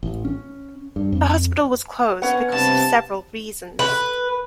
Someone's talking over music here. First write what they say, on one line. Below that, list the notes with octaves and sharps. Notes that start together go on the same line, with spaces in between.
The hospital was closed because of several reasons.
A1
C#4
G2
F2
B3 C#4 B4 F#5
G2 C3 A5
B4